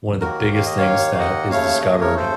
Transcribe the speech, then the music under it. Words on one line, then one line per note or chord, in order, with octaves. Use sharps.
one of the biggest things that is discovered
D#2 D#3 A#3 F#4 A#4
F5
D#5
C#5 F5
F5
D#5 F#5
D#2 C#3 A3 C#5 F5
C#5
D#5
A#4 C#5
A4 C5